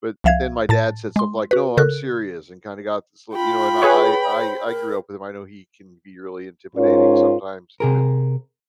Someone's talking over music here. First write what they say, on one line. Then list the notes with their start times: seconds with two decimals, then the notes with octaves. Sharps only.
but but then my dad said something like, "No, I'm serious," and kinda got sl you know, and I I I grew up with him. I know he can be really intimidating sometimes even
0.24 C2 F3 E5 F5 G#6
0.69 A2 A5 A6
1.16 G#3 C6
1.51 F#4 B4
1.77 C#3 A4 A#4 F#6
3.33 F4 G5 B5
3.82 G#4 B4 C#5
4.30 C5
4.67 A#4
6.76 G#2 C#4 F4 A#4 C#5
7.80 C3 G#4 A#4